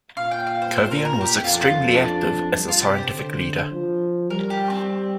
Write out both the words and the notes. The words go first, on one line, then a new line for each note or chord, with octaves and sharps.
Covian was extremely active as a scientific leader.
A#2 F5
G5
F5
C5
C5
A#4
A#4
G4
F2 G4
F4
D4
F4
D4
G2
F4
C3 G4
C5
D3
F3
G3 A#4
G4
C4